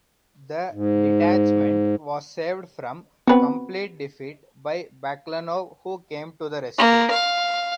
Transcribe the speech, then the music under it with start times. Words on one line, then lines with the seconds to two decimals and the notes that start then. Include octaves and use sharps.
The detachment was saved from complete defeat by Baklanov who came to the rescue.
0.72 G#2
3.27 B3 C4 F#4 B4
6.78 A#3
7.10 F5